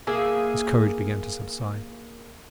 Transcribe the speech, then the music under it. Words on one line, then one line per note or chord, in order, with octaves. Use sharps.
His courage began to subside.
A#3 G#4 E5